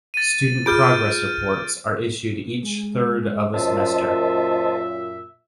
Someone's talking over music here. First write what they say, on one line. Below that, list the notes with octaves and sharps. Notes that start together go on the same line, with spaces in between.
Student progress reports are issued each third of a semester.
A6 D#7
F4 G#4 F6 G6 D7
G#3
F#2 A#2 C5 D#5 E5 A5